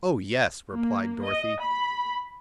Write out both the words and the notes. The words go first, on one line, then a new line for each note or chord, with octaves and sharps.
"Oh, yes," replied Dorothy.
A#3
D#5
B5